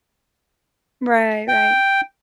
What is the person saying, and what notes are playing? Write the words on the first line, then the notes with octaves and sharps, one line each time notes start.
Right, right.
G5